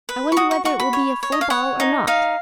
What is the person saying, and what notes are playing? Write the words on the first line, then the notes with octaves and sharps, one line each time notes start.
I wonder whether it will be a full ball or not!
B4
C#6
F#4 D#6
C#6
F#4 C#6
B5
C#5
C#5
D#5
F5
C#5 F#5
D#4
D#4 F5